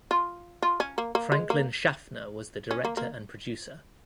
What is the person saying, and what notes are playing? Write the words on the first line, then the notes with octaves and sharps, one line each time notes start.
Franklin Schaffner was the director and producer.
F4
F4
C#4
A#3
A#3
G#3
A#3
C#4
A#3
A#3